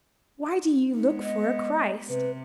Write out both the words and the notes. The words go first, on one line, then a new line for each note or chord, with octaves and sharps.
Why do ye look for a Christ?
G#3 B3 D#4
D#5
C3 B4